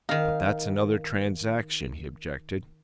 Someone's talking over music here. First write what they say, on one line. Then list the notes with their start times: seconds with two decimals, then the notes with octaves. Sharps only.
"But that's another transaction," he objected.
0.09 D#3 D#4 F5